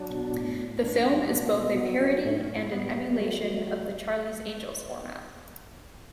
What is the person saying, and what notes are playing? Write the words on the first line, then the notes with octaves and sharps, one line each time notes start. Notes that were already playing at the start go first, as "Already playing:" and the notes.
The film is both a parody and an emulation of the "Charlie's Angels" format.
Already playing: F#3 D4
B2
A2
A2
A2 D4
G3
B2
B2
F#3 B3
B3
F#3 C#4
A2 A3
C#4
A2
E4
G3 B3
G3
F#3 A3
F#3
F#3